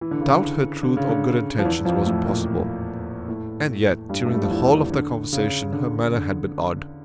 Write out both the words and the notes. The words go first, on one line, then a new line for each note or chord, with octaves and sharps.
To doubt her truth or good intentions was impossible; and yet, during the whole of their conversation her manner had been odd.
E3
D3
C#3
D3
D3
C#3
D3
F3
E2 E3
F2 F3
A2 A3
A#2 A#3
A2 A3
G2 G3
A3
G3
F3
E2 E3
D3
C#3
D3
D3